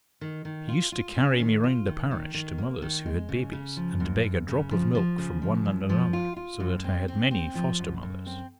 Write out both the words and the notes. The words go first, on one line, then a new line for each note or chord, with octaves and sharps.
She used to carry me round the parish to mothers who had babies, and beg a drop of milk from one and another, so that I had many foster-mothers.
D#3
D#3
F4
F4
C#4
D#3
F4
D#3
D#3
D#3
A#3
D#3
G#3
C#3
C#3
F3
F#2
F#2
C#3
F3
F3
C#3
F3
F#2
F3
F4
F4
F#2
C4
C4
C4
F3
F#2
F#2
C4